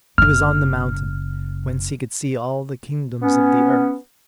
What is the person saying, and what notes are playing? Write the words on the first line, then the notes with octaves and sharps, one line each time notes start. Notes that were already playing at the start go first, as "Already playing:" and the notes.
He was on the mountain, whence he could see all the kingdoms of the earth.
F#1 C#3 F6
B3 C#4